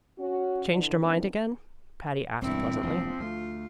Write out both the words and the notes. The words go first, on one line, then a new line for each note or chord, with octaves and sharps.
"Changed her mind again?" Patty asked pleasantly.
C#4 F#4
D3 E3
G#2 D#3 E3 B3 C4 D4
E1 G2 C4 E4
E1 A#1 G#2 F3
D2 G3 A3 F4